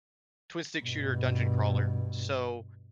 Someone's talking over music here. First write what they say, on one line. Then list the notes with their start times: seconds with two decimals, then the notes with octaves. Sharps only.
twin-stick shooter dungeon crawler, so
0.83 G2 B2